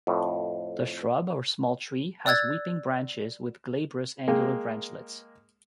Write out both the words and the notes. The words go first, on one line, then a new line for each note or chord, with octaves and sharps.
The shrub or small tree has weeping branches with glabrous angular branchlets.
F2 A2
D5 E6 F#6 G#6 A6
G#3 A#3 G5